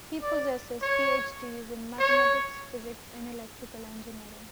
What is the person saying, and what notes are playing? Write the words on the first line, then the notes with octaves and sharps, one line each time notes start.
He possesses PhDs in mathematics, physics, and electrical engineering.
D5
C#5
C#5